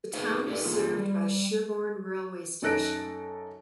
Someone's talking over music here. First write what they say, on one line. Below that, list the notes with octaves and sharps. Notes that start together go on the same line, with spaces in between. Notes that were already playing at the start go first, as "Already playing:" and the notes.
The town is served by Sherborne railway station.
D#4 F#4 G#4 B4 C5 F5
D#4 G4 A4 B4 C5 D5
E3 A#3 F4 G#4 A4
G3
F#2 D#4 A4 F#6 A#6 D7